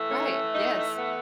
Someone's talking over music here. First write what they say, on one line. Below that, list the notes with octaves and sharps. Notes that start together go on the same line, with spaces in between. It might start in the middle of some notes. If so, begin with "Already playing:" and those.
Right, yes.
Already playing: A2 E3 A3
C#4
D#4
B3